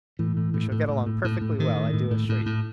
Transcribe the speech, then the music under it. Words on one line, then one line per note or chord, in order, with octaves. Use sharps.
We shall get along perfectly well, I do assure you.
A2 E3
A2
A2
A2
A2
A2
A2
A2
A2 D#3
A2
A2
A2
A2
A2